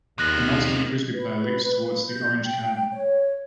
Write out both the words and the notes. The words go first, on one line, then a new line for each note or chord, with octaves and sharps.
An Ultimate Frisbee player leaps toward the orange cone.
D#2 F3 G#3 F#6 A#6 F#7
B4
G6
G5
C#5